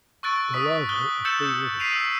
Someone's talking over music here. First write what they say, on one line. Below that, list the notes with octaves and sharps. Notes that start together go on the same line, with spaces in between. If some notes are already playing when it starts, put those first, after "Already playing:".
The larvae are free living.
C#6 E6 F#6 A6 D7
C#6 D#6 B6
F#6 G7
E6 G6 A6 C#7 E7
B6 C7 D7 D#7 F7
E6